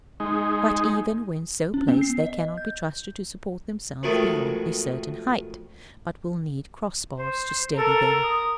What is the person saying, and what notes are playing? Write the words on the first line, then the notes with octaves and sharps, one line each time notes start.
But even when so placed, they cannot be trusted to support themselves beyond a certain height, but will need cross bars to steady them.
G#3 D#4
C#4
B3
C7
D#5
G6
F2 B2 D#3 E3 G#3 A3
C5
A4 A#4
D#6